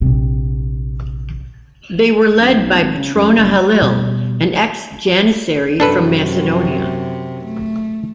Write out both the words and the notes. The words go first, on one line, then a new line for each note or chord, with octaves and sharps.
They were led by Patrona Halil, an ex-Janissary from Macedonia.
A#1 C3
F#2
B1
G#1
C#3
F#2
F#1
B2 G3
F#2 C3 D4 A4 B4
A3